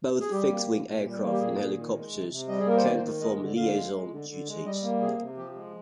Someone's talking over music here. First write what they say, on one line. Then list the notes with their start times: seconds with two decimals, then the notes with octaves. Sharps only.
Both fixed-wing aircraft and helicopters can perform liaison duties.
0.21 G#4
0.31 G3 G4
0.50 A#3
0.68 A#2
0.85 A#2
1.04 G3
1.21 A#3
1.32 G4
1.40 A#2 G#4
1.58 A#2
1.76 D#3
1.94 G#3
2.13 C3
2.30 C3
2.48 G3 D#5
2.59 G#4
2.67 A#3 A#4
2.77 C5
2.84 D#3 D5
2.97 C5
3.03 D#3
3.20 G#3 D#5
3.38 D3
3.56 D3 F5
3.75 G#3
3.93 G#3
4.11 D3
4.29 D3
4.47 G#3
4.65 G3 D#5
4.82 A#3
5.01 C3 G#4
5.19 C3
5.37 F3 G4
5.55 G#3